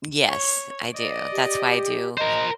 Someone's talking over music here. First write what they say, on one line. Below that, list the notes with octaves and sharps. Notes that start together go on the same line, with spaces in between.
Yes. I do. That's why I do,
C#5
D5 D#5
G4
A#4 C5 D#5